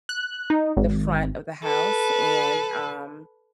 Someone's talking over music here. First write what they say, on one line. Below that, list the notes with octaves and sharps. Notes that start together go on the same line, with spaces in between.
the front of the house, and, um,
F#6
D#4
G#1
A4 B4